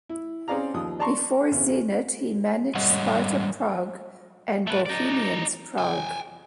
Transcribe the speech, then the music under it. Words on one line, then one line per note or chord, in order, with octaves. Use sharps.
Before Zenit he managed Sparta Prague and Bohemians Prague.
E4
C4 C#4 G#4 D5 F5 A#5
D#2 F3 D#6
D5 A5 A#5 C6 C#6
E2 C#3
G#2 G3 C#5 D#5 F#5
A3 B4
D#4 D5
G5 G#5